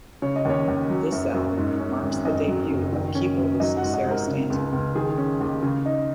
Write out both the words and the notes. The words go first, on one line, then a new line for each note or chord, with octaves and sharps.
This album marks the debut of keyboardist Sarah Stanton.
C#3 C#5
D#5
D#2 C#4 C#5
D#2
F#3
F#2
F#2
G#2
C#4
G#1
F#2 D#4 D#5
F#3
F#1
D#3
C#4
F#2
F#3 D#4 D#5
F#4 F#5
G#2
D#4 D#5
G#2
A#4
C#3
C#2
C#2
D#3 G#4
C#4
D#2
C#3
D#4